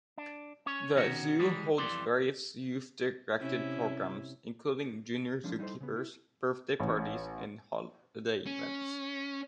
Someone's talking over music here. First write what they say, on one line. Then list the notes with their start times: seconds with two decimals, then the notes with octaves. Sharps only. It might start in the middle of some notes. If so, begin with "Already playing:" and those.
The zoo holds various youth-directed programs, including Junior Zookeepers, birthday parties and holiday events.
0.18 D4
0.66 C#4 C#5
0.95 B2 D#3 C#4 F#4
1.39 E3 G3 G#3
1.78 F2 E3 G3 D5 C6
3.38 C3 C#4 E4
5.44 F3 F#3 G#3 C#4 D4
5.59 G3 D#4 E4 A4 C5
5.81 C#3 B3
5.96 E4
6.80 A1
8.46 C#4